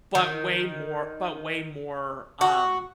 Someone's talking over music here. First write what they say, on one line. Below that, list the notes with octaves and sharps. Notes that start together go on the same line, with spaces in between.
but way more but way more, um,
D#3
F#4